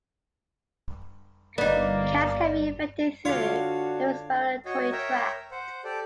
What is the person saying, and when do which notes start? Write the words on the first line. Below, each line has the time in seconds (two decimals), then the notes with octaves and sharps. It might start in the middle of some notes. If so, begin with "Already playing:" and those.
Cats can be infected through the respiratory tract.
1.58 G1 A#3 B3 D#4 D5
3.25 D3 D4 F4 F#4 C#5 F5
4.66 F#4 C#5 D#5
4.92 A#4 C#5 E5 G5 A#5
5.51 C5 F#5
5.84 G4 A4 D5